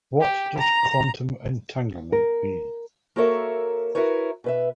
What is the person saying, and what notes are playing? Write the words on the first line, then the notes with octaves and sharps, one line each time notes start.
What does Quantum entanglement mean?
G4
A#5
A#4
A#3 F#4 A4 A#4 C#5 E5
E4 F#4 A#4 B4 C#5
B2 B4 E5